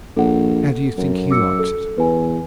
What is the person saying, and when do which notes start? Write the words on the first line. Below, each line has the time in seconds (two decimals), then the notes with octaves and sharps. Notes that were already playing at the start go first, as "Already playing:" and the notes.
How do you think he likes it?'
0.17 A#1 A4 F#5
0.97 F#2
1.31 D6 E6 C#7
1.59 A4
1.98 E2 B4 G#5